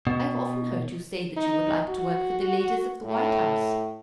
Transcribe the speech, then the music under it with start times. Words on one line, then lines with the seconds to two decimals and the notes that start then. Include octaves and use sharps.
I have often heard you say that you would like to work for the ladies of the White House.
0.07 B2
1.37 D#4
1.89 F#4
3.05 A2